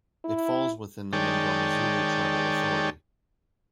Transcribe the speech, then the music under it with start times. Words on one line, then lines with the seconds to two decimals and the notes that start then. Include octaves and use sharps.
It falls within the Mngomezulu Tribal Authority.
0.25 E4
1.13 D#3 G#3 C#5 D5 G5 A5